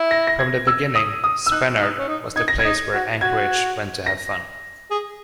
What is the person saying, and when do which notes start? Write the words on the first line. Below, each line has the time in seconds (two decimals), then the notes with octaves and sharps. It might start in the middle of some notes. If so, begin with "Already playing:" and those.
From the beginning, Spenard was the place where Anchorage went to have fun.
Already playing: E4
0.11 A#6
0.27 A#6
0.39 G#6
0.67 E6
0.95 D#6
1.24 D#6
1.46 E6
1.52 D#4 F#6
1.81 D#4
1.98 C#4
2.08 D#4
2.36 D#4 G#6
2.48 A#6
2.59 G#6
2.65 D#4
2.94 F#4
3.21 F#4 G#6
4.06 A#6
4.91 G#4